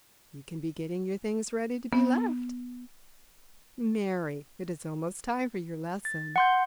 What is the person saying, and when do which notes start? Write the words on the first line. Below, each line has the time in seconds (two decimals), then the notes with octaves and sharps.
You can be getting your things ready to be left." "Mary, it is almost time for your lesson.
1.93 B3
6.05 A6
6.36 F#5 C6 G6